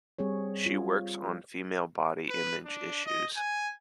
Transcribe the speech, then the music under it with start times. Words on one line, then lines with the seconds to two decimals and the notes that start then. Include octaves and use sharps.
She works on female body image issues.
0.19 G3 C4 G#4 C#5
0.66 F4
2.29 B4
2.65 D4
3.06 D#5
3.36 G#5